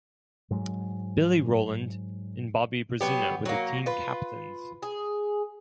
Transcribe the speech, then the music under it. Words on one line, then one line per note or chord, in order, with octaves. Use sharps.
Billy Roland and Bobby Brezina were the team captains.
G#2 F#3 G#3
F#3 B3 G4
F#3 A#3
F4 B4
G#4